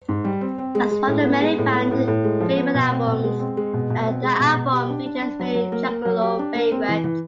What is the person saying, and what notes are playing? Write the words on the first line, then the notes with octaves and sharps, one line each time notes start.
As one of the many fan favorite albums, the album features many Juggalo favorites.
G#2
G3
C4
C4
G#3
G#3
A2
B3
G#3
A2
B3
A2
A2
G#3
F3
B3
B2
C4
B2
G#3
C4
G#3
B2
B2
C4
G#3
B2
B2
G4
D4
D4
D4
F#3
F#3
A#3
A#3
F#3
G4
D4
A#3
C4
E3
E3